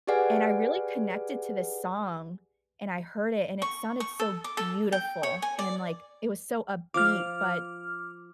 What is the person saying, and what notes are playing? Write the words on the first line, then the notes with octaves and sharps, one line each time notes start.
and I really connected to this song, and I heard it, and it sounded so beautiful, and, like, it was so upbeat, but
G4 G#4 B4 D5 F#5 G#5
C#6
C#6
A4
D6
A4
G5
C#5
G#5
D5
F3 F5 D6 F6